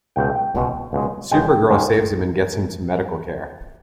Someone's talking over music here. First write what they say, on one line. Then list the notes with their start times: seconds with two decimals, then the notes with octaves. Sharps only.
Supergirl saves him and gets him to medical care.
0.16 C#2 B2 G#3 G5
0.36 G5
0.54 C#2 B2 G#3
0.93 C#2 B2 G#3
1.31 C#2 B2 G#3 G5
1.69 D#2 D#3 G#3 C#4